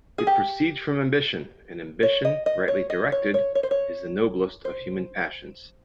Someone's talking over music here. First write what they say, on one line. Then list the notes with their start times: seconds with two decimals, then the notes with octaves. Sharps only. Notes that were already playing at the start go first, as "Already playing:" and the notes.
It proceeds from ambition; and ambition, rightly directed, is the noblest of human passions.
0.18 G#4
0.27 G4
2.03 C#5
2.25 D#5
2.46 D#5
2.68 C#5
2.90 D#5
3.12 C#5
3.34 C#5
3.55 C#5
3.63 C5
3.71 C#5
4.65 C5